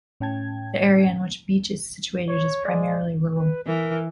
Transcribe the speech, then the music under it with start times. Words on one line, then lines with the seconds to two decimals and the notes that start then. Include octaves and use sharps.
The area in which Beech is situated is primarily rural.
0.20 A2 C#4 G5 A5 G#6
2.28 C#5
2.65 G#3 D5
3.33 B4
3.67 E3 A#4